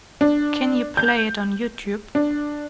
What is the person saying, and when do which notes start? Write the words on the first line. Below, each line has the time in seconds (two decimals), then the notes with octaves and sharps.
Can you play it on Youtube?
0.21 D4
0.97 G6
2.15 D4